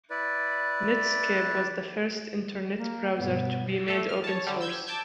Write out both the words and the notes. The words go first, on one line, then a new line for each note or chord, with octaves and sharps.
Netscape was the first internet browser to be made open source.
E4 B4 D5
A#3
G2 B2 B3
A3 A4
F6
C#5 A5
D3 G3
E6 G6 G#6
A5 D6 E6 G6 G#6